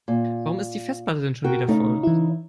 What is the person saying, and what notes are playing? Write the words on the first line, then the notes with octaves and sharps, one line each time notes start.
Warum ist die Festplatte denn schon wieder voll?
A#2
F#4 A#4 G5
C#3 A3 D#4
E3 E4